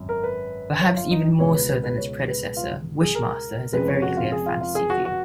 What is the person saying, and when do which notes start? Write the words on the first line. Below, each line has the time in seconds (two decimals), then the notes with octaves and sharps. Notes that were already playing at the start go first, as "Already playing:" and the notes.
Perhaps even more so than its predecessor, "Wishmaster" has a very clear fantasy theme.
Already playing: G#1 F#2
0.09 A#4
0.23 B4
0.81 C#5
0.96 F4
1.11 D#4
1.39 C#2 B2 G#3 C#5
1.54 B4
1.69 B4
1.84 B4
1.98 C#5
2.28 B4
2.57 F4
3.01 G#4
3.15 A#4
3.73 F1 F2 C#3 G#3 B4
3.88 C#5
4.02 F#4
4.17 F4
4.32 G#4
4.46 F4
4.61 F4
4.75 G#4
4.90 F#4
5.05 F#4